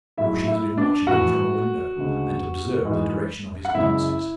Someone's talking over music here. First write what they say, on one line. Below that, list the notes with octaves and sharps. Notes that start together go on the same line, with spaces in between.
For she has been watching him from a window, and observed the direction of his glances.
G#2 F#3 A3 E4 E5
E4 E5
D4 D5
A2 E3 A3 F#4 F#5
D2 C#3 G#3
G#2 E3 G#3
F#5
F#2 C#3 G#3 E4 E5